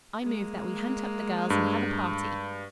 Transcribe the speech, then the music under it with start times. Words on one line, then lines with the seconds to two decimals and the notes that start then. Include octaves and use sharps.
I move that we hunt up the girls and have a party.
0.18 G#3 A#3
1.50 G2